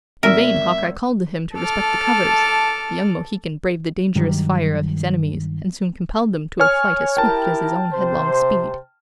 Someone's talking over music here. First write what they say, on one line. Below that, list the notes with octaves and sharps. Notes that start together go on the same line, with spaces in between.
In vain Hawkeye called to him to respect the covers; the young Mohican braved the dangerous fire of his enemies, and soon compelled them to a flight as swift as his own headlong speed.
G#1 A#4 E5 E6
A4 A5 D6 F6
G2 D#3 F#3 G3
C#5 G#5 F6
E4 G4 A#4 G5 A5
C3 C5